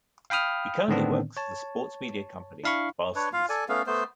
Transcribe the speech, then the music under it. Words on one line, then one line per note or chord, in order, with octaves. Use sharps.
He currently works for the sports media company Barstool Sports.
F5 G5 B5 D#6 F6
A2 D3 D#3 B3 C4 D4
C#5 A5
D4 E4 F5 B5 C#6
D4 B4 C#5
F4 F5
A4 D5 G#5
A3 B3 C#4 F5
A3 B3 C5